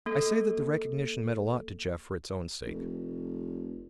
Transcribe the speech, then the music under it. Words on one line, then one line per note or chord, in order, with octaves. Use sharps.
I say that the recognition meant a lot to Jeff for its own sake.
A#3 A4
F1